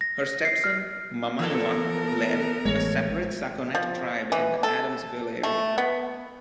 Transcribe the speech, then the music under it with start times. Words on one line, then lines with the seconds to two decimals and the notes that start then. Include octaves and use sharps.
Her step-son Mamannuah led a separate Sakonnet tribe in the Adamsville area.
0.01 A#6
0.45 C7
0.64 F6
1.39 E3 B3 A4 A#4
2.65 A1 G#3 C#5
3.75 F3
4.32 E3
4.63 A4
5.43 A3
5.78 B3